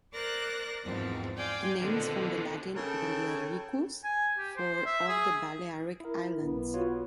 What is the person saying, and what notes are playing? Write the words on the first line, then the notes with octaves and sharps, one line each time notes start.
The name is from the Latin "Baliaricus" for "of the Balearic Islands".
A#4 C5 D5 D6 F#6 A#6
E2 G#2 F3 C4
D5 F5 G5 G#5 C6
B2 D3 D#3 F3 C4
C#3 A4 A#4 G5
G#5
G4
C5
E5
G#4
E4 A#4
B1 B3
F4 F#4 C#5